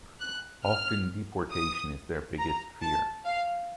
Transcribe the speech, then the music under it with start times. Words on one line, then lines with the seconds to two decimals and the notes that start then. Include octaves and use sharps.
Often deportation is their biggest fear.
0.20 F#6
0.64 F6
1.51 D#6
2.39 A#5
2.81 A5
3.25 F5